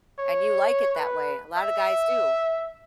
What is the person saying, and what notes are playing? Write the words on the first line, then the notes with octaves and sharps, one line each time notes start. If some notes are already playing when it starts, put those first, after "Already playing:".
and you like it that way. A lotta guys do.
C#5
B4
E5